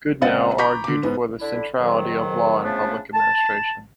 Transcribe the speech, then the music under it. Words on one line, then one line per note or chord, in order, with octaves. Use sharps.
Goodnow argued for the centrality of law in public administration.
C#2 C4 D#5 F5 F#5 A6
A#5 B5 C#6 D6 G6 B6
D3 D6
G#2 B3
D3 D4 E4
F2 G#2 D#3 F#3
C#3 F3 A3 B3 D4
A5